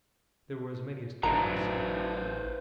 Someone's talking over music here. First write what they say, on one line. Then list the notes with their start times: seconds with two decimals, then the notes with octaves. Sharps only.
There were as many as thirty in sight.
1.23 A1 F#3 D4 E4 B4 C5 F5 A#5